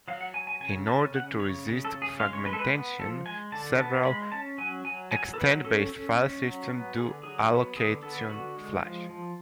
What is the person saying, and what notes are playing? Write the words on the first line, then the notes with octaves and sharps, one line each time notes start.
In order to resist fragmentation, several extent-based file systems do allocate-on-flush.
F#3 F5
F#5
F#3 G#5
G#5
C#3 G#5
C#4 A5
C#3 F#5
C#3 C#5
C#3
A4
C#3
G#4
G#3 F5
C#5
G#3 B4
A4
B4
B3
F3 A4
G#3 G#5
D3 A5
B3 A5
G#3 B5
C#4 A5
F#3 G#5
F#3 G#5
F#3 G#5
A4
F#3 B4
C#4 A4
C#4
C#4
F#3
B3
D3 G#4
F#3 G#4
B3 F#4
D3 G#4
B3 A4
D3 F#4
G#3
F3
F3